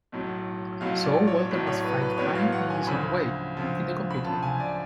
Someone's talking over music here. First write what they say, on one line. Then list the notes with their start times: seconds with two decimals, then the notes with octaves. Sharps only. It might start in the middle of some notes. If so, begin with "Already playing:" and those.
So Walter must fight crime in his own way - in the computer room.
0.12 B1 A2 F#3
0.81 B1 A2 F#3 F5
1.05 D5
1.27 C#5
1.50 B1 A2 F#3
1.67 C#5
1.84 B4
2.02 B4
2.13 B4
2.18 B1 A2 F#3 C#5
2.35 F5
2.52 F#5
2.70 G#5
2.87 D2 C#3 F3 B5
3.57 D2 C#3 F3
4.11 B5
4.25 D2 C#3 F3 A5
4.42 G#5
4.60 D5